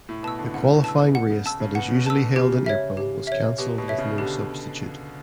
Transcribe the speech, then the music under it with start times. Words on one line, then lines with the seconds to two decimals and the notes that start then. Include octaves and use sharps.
The qualifying race that is usually held in April was cancelled with no substitute.
0.09 A2
0.23 B2 A5 E6
0.39 D3
0.54 C#3 F#5
0.74 B2
0.84 A5 E6
1.14 B2 F#5
1.30 C#3
1.45 C#3 A5 E6
1.60 C#3
1.75 B2 F#5
1.88 C#3
1.96 B2
2.06 A5 E6
2.16 D3
2.36 C#3 G4
2.66 C#5 E5
2.97 G4
3.27 C#5 E5
3.58 B2 G4
3.78 B2
3.88 C#5 E5
3.98 C#3
4.18 D3 G4